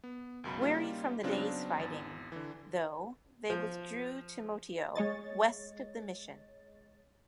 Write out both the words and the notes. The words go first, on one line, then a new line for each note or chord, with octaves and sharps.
Weary from the day's fighting, though, they withdrew to Motieau, west of the mission.
B3
C#2 F#2 B2 B5
C#3 G3 A#3 D#4 F4 G4
C#3 F#3 B3 C4 D4 F4
G#1 E2 A6
D3 E3
F3
G#3 C#5 D#5 A6